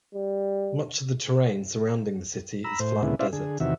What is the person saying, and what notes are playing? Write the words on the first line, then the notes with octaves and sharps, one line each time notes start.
Much of the terrain surrounding the city is flat desert.
G3
A#5 B5 E6
A2 C5
D2 A#2 C#3 G#3 B3 E4
C#4 E4 C5 D5 E5 F5
D3 G#4
E2 C3 D#3 F#4 E5